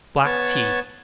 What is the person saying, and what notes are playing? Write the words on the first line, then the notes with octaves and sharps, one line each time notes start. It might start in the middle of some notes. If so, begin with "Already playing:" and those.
Black Tea.
B3 C#5 A5